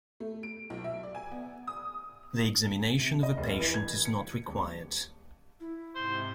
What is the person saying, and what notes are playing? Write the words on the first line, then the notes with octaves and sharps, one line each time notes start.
The examination of a patient is not required.
A3
D7
B1
E5
D5
G#5
B3
D#6
C3
D#5
F1
E3
G#6
C#7
D#1
E4
G#2 C3 C5